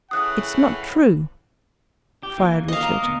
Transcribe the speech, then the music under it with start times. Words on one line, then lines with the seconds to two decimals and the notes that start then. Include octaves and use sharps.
"It's not true!" fired Richard.
0.11 A2 C#3 E3 F#5 D#6 F#6
2.23 G4
2.38 E3 A#3
2.68 D#5 F5
2.81 D#5 F5 A#5
3.03 D2 A#2 B3